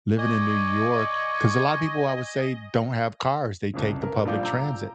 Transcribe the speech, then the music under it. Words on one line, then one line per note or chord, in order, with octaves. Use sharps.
living in New York, 'cause a lotta people, I would say, don't have cars, they take the public transit,
D5 D#5 G#5 C#6
C2 F2 C#3
A#4
A#1 G3 D4 F4 D6 G6
A#5 D6 E6 G6